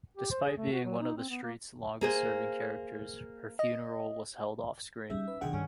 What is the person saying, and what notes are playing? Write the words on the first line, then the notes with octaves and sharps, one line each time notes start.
Despite being one of the street's longest serving characters, her funeral was held off-screen.
G4
C5
G#4
A3
F#4
F#3
D#4
C4
B3
A#3
A#3 G#4 C5
D#5
G3 C#4 D#4 G#4 E5
B4
B1 D#3 D4 G#4 F#5 G5
G2 D3 G3 C#4 D4